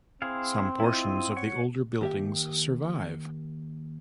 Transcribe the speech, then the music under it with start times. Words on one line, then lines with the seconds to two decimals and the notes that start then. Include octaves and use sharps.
Some portions of the older buildings survive.
0.22 C4 E4 G#4 F5
0.80 E4 F4 D#5
1.36 C#5 F#5 C#6
2.01 D#2 G4 E5